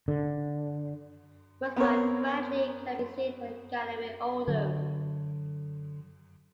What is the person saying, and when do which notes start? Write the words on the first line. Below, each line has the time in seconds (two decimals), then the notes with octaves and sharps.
Works by Bradley can be seen at Gallery Oldham.
0.08 D3
1.76 B3 C4 A#4 C#5
4.48 D3 F#3